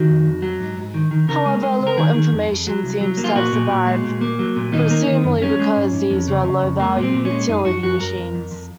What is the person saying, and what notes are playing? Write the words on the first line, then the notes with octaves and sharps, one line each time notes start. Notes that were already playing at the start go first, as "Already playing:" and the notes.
However little information seems to have survived, presumably because these were low-value utility machines.
Already playing: D#3 F#4
F2
F2
F#3
G#2
G#2
D#3
D#3
C#3 A#4
G#3
G#3
C#2
A#4
D#3 G#4
D#3
F2
F2
F#3
C2
F#3
A#3
F4
A#2 F#4
A#2
A#2
G#3
A#2
A#3
F#3
A#2
D#3 D#4
A#3
D#3
F#2
F3 C#4
G#3
G#2
G#2
F2
C#3
C#3
F2
G#3 A#3
A#2
C4
A#2
C#4
G#3
F#2 D#4
F#2 F#4
F#2 F#4
F#2 A#4
F2
F2
F2